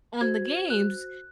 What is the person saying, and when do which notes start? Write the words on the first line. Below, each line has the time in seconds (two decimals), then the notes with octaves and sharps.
on the games
0.21 F#4 C5 G#6
0.70 F#6